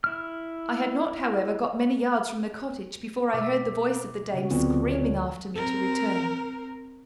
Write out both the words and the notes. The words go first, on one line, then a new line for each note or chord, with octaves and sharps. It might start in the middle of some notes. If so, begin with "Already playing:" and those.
I had not, however, got many yards from the cottage before I heard the voice of the dame screaming after me to return.
E4 F6
B2 E5 D6
C#3 F#4
D2 F3 F#3 B3 C4 F4
C#5
C4 A#4